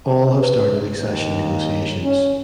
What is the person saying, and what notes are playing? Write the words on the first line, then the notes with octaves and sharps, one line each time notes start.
All have started accession negotiations.
B4
D#2
C#4